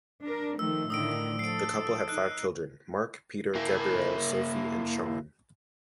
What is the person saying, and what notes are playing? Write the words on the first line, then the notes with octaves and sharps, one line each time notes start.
The couple had five children: Mark, Peter, Gabrielle, Sophie and Sean.
D4 A#4
D#3 F3 A3 E6
A2 D3 D#3 D#6 E6 D7
F3 A4 C7 D7
D#4 F#6
A#3 E4